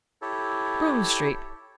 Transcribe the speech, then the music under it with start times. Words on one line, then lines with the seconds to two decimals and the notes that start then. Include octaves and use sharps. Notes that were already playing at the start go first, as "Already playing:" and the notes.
Groome Street.
0.22 E4 G4 A4 C#5